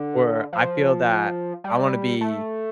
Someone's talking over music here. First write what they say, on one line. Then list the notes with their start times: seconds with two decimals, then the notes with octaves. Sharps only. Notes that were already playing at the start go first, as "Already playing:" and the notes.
or I feel that I wanna be
Already playing: D3
0.53 F3
1.64 G3
2.21 A3